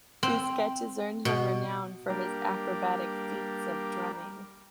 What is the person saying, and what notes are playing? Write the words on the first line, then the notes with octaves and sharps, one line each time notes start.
These sketches earned him renown for his acrobatic feats of drumming.
C4
B2
G3 A#3 D4